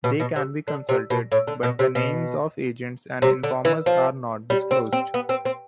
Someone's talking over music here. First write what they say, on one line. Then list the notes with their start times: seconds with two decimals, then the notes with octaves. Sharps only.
They can be consulted, but the names of agents and informers are not disclosed.
0.04 B2
0.20 B2
0.36 C3
0.68 D3
0.89 C3
1.10 B2
1.32 A2
1.47 D3
1.63 B2
1.79 C3
1.95 B2
3.22 C3
3.44 D3
3.65 E3
3.86 F3
4.50 G3
4.71 C4
4.93 C4
5.14 B3
5.29 C4
5.45 C4